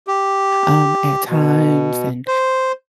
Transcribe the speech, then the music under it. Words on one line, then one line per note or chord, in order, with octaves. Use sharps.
um, at times, and
G4
B2
C5